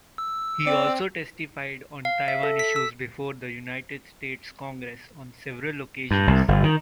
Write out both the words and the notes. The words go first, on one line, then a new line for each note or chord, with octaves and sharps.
He also testified on Taiwan issues before the United States Congress on several occasions.
E6
C4 D5
F5
E5
A4
B6
E6
G2
C2
G1
D#3